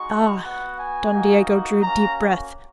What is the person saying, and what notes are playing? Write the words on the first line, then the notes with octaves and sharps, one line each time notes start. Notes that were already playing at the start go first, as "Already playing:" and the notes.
"Ah!" Don Diego drew a deep breath.
Already playing: G#3 D#4 F#4 C#6
B3 F#4 F#5
G#5
A#3 D#4 F#4
A#3 C#4 F#4 A#5